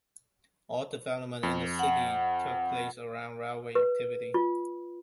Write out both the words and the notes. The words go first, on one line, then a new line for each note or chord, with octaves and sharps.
All development in the city took place around railway activity.
F2
F#5
B4
F4